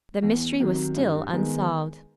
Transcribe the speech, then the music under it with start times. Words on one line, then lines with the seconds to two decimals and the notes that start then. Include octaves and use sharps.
The mystery was still unsolved.
0.23 E2
0.60 C3 D#3 F#3
0.96 G2
1.33 D#3 G#3 B3